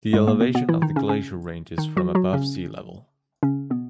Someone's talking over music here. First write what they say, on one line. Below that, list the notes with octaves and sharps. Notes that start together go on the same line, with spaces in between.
The elevation of the glacier ranges from above sea level.
G#2 G#3
A#2 A#3
B2 B3
B2 B3
E3 E4
D#3 D#4
C#3 C#4
C#3 C#4
D#3 D#4
F#3 F#4
F#3 F#4
C#3 C#4
C#3 C#4
B2 B3